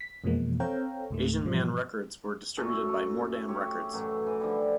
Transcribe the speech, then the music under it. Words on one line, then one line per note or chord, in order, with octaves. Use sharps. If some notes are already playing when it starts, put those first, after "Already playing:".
Asian Man Records were distributed by Mordam Records.
B6
F2 B2 E3 F3 G#3 A#3
C4 A4 C#5 F5 G5 A#5
C#2 G#2 A3
G#2 B2 E3 F3 G3
F#2 A3 C#4 A4
A4
G4 C#5 E5
F#2 A2 E3 F#3
E3
D3 F3 G3